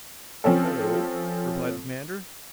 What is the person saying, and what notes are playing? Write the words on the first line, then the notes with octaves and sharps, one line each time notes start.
"Oh?" replied the commander.
F3 C4 C#4 A4